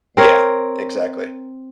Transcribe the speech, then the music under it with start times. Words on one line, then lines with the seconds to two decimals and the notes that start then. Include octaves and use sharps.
Yeah. Exactly.
0.17 C4 A#4 C#5